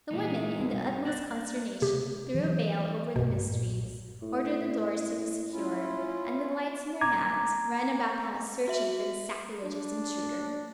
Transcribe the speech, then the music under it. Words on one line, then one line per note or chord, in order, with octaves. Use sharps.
The women in the utmost consternation, threw a veil ever the mysteries, ordered the doors to be secured, and with lights in their hands, ran about the house searching for the sacrilegious intruder.
A#2 E3 G#3 D#4
C2 G2 B2
D4 F#6 A6 A#6
C3 G4
E3 F#3
B1 G2 B2
A#2
A2
C#4 E4 F4
A#5 D6 G#6
F#4 E5 F#7
D4